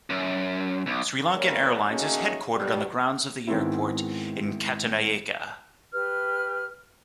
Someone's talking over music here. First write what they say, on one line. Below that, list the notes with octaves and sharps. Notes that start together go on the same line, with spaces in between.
SriLankan Airlines is headquartered on the grounds of the airport in Katunayake.
F#2
B1
E3 G3 A#3 A#4 C#5
A3 A#3 C#4 D#4 F#4 G#4
D2 B2 G3
G#2 D#3 G#3 B3 C4 E4
G4 B4 F6